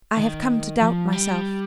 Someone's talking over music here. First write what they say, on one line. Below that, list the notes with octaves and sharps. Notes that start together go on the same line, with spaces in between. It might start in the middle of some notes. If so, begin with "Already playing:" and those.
I have come to doubt myself.
D#3
F3
G3